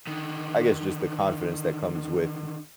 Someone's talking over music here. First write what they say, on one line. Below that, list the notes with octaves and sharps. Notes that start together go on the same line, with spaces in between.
I guess, just the confidence that comes with
D3 D#3